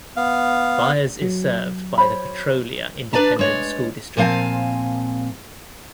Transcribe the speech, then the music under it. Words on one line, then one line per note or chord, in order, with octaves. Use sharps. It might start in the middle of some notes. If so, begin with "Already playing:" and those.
Byers is served by the Petrolia Independent School District.
B3 F5
F#3
C5 C#5 B5
D4 B4 D5 A5 A#5
G#3 C#5 D5
A#2 F3 C4 F5 G#5 A5